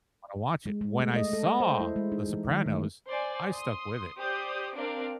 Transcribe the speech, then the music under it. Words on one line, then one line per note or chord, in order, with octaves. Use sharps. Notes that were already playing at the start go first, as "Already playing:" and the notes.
wanna watch it. When I saw The Sopranos, I stuck with it.
G#3
G#3
A3
D#5
A4
C5
E4
G#3
D#4
E3
D#3
A3
C5 D5 G#5
C6 D#6
G4 C5 D5 D6 D#6 G6
C4 D4 A#4 D5 F5 D7